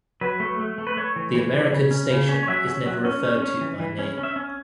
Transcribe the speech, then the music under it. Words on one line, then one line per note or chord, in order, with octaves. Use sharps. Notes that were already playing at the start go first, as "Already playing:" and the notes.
The American station is never referred to by name.
F#3 B4
A3
A3
A3
B4
A3 C#5
E3
E3
E3
C#3
C#4
C#3
C#4
C#5
F#3 E5
C#4
F#3
C#4
C#4
C#4
E3
E3
C#4
C#4
E5
C#4